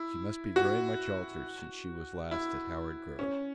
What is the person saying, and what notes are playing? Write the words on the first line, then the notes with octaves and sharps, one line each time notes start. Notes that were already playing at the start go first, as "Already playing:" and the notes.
She must be very much altered since she was last at Howard Grove.
Already playing: E4
F#4
E4
C#4